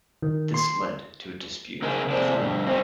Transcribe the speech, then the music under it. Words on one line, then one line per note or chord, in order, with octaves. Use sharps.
This led to a dispute with Lemgo.
D#3
C6
C#3 D#4 G#4 A#4
F2 A2 C3 G#3 D5 A5
G2 B2
C4 C#4 D#4